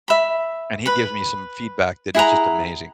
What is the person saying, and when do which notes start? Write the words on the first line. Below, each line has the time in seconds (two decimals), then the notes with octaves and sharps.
And he gives me some feedback that is just amazing.
0.08 E5 B5
0.86 B4 B5
2.15 E4 G#4 F#5 A#5